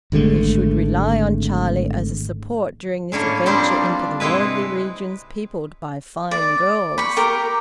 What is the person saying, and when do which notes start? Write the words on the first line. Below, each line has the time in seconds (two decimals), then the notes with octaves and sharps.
He should rely on Charlie as a support during this adventure into the worldly regions peopled by fine girls.
0.12 G#1 D3 G#3 A3
3.12 A2 A#3 C#4 D4
3.46 F3 G3 A#3 C4 D4
4.20 C3 G#3 E4 B4
6.31 D5
6.98 B5 C#6
7.17 G4 A#4